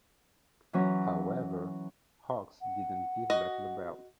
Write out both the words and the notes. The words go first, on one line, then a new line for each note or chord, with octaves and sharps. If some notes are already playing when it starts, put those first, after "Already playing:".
However, Hawx didn't give back the belt.
E3 F#3 C#4
F#5
F#4 D#5